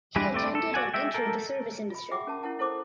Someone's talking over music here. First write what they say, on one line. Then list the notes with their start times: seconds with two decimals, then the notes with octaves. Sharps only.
He attended and entered the service industry.
0.16 E3 G3 G#3 G4 B4
0.34 A3 C4 D5
0.55 A4
0.74 F#4 D5 F#5 G#5
0.94 G#3 E5 G5
1.14 A4 A#4
1.90 F4 B5
2.11 F#4 G#4 E5 F#5 G5 D6
2.27 C#4 A#4 A5
2.43 C#4 E4 A#4 F#5 A5
2.59 E4 A4 C5 D6